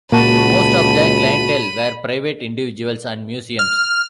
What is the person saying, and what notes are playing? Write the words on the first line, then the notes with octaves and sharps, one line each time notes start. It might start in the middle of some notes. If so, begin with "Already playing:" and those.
Most of the clientele were private individuals and museums.
C#2 A#2 A#3 F#4 A5 B5 D#7
F6